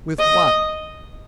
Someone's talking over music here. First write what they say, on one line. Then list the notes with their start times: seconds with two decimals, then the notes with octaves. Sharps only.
"With what?"
0.19 D#5